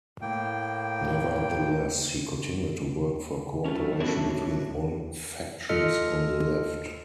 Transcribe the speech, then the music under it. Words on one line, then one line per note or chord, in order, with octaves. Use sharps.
Nevertheless, he continued to work for cooperation between all factions on the left.
A2 A#3 G5
F#3 A3 C#4 F4
B3 C#4 D4 F#4 C#5
F4 A4 D#5 F6 C#7